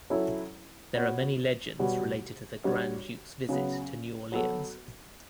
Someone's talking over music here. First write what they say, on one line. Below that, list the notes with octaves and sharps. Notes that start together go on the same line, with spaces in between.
There are many legends related to the Grand Duke's visit to New Orleans.
F#3 C#4 E4 A4
B3 F#4 C#5
B2 G3 B3 F#4 C#5
G3 D4 F#4 C#5
C#3 F#3 B3
F#3 B3 F#4 A4